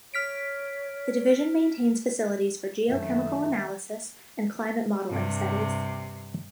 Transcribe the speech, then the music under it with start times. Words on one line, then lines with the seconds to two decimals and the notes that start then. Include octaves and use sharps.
The division maintains facilities for geochemical analysis and climate modeling studies.
0.14 C#5 F6 B6 D7
2.87 F#2 D#3 A3 E5
5.11 G2 C3